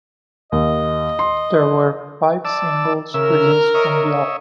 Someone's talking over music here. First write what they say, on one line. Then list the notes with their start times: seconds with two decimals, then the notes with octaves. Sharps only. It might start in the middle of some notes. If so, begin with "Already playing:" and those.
There were five singles released from the album.
0.52 D#2 D#5
1.19 C6
2.45 D5 A5 E6
3.14 C#3 A#4 E5 E6
3.74 C#5 D#5 E5